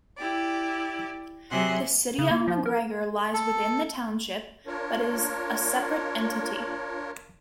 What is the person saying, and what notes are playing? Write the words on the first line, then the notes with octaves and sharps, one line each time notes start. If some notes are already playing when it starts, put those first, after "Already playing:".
The city of McGregor lies within the township but is a separate entity.
E4 G4 D5
C3 F#3 G#4 E5 F#5 C6
C#3
A#3
F3
A#4
A4
D4 F4 A#4 C#5